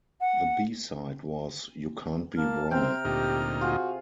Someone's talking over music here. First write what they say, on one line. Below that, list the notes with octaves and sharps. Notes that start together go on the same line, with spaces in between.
The B-side was "You Can't Be Wrong".
F#5
A#3 A5 F6
C3 C4 G5 A#5 F6
D2 A#2 D#4 G4
F4 F#4 G#4